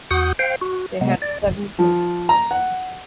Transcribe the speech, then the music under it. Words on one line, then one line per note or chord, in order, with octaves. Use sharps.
They had seven children.
E2 F#4 F#5 D#6 G6
C5 F5 G5
F#4
C3 G#3 B3
D5
F3
A#5
F#5